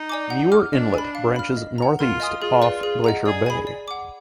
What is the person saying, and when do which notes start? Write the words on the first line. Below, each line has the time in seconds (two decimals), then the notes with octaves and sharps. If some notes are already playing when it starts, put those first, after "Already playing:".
Muir Inlet branches northeast off Glacier Bay.
Already playing: D#4
0.09 D5 G#5 D6
0.30 F#5
0.52 D6 F6
0.73 D4 D#5
0.94 G#5 B5
1.15 F5
1.36 B5 F6
1.57 D#5
1.78 F#5 A#5
1.99 F4 A#4
2.20 D#5 G#5 D#6
2.41 F4 G#4
2.62 B4 D5 F5
2.83 G#4
3.04 D#5 F#5 A#5
3.25 G#4 D5
3.46 G#5 B5
3.67 D5
3.88 F#5 D6